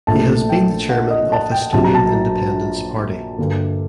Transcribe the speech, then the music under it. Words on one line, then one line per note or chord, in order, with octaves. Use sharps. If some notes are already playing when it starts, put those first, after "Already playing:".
He has been the Chairman of Estonian Independence Party.
A#1 A#2 A3 A5
G5
F#5
D#5
A5
G5
A#1 A#2 F#3 A5
A#5
A5
G2 D3 G3 A#3